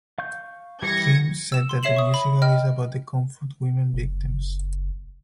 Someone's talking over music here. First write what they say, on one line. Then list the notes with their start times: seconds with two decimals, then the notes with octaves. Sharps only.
Kim said that the musical is about the comfort women victims.
0.18 F5 C#6 G6
0.82 E3 G3 G4 G#6 A#6 C#7
1.52 E6 E7
1.69 C6
1.83 C#5 E5 C7 E7 F#7
1.96 C#6 D#6
2.14 B5
2.42 D#5 G5 F6
3.94 F#1